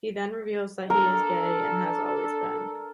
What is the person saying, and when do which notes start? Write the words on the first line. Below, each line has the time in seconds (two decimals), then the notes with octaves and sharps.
He then reveals that he is gay, and has always been.
0.90 D4 A4 A#4